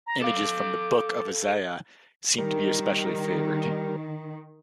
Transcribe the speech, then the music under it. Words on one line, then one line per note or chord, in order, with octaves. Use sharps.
Images from the Book of Isaiah seem to be especially favoured.
A#5
A4 F5 D6
D#3 G3 A#4